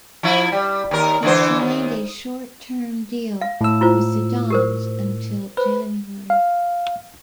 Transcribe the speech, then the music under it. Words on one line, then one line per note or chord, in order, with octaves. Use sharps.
He signed a short-term deal with the Dons until January.
F3 E4
G3
D#2 A#4
D3 E3 C5
D#2
F5
A2 E6
E4 F4 C5
G4 A#4 C5
B4 C5
F5